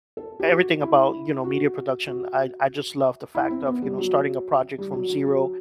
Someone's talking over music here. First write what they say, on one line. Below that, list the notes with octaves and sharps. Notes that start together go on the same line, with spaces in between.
everything about, you know, media production I I just love the fact of, you know, starting a project from zero,
A4
G4
F#4
E4
F#4
F#4
E4
C4
B3
G3
F#3
G3
F#3
F#3
F#3